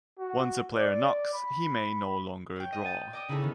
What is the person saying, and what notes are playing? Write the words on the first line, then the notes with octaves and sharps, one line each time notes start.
Once a player knocks, he may no longer draw.
F#4
D5
B5
C#5 G5
D#5
G6 A6 D#7
D5 D#5 G5 D6 D#6
C#3 D#4 E4 G#4 A4 C#5
D#3 B3 C#4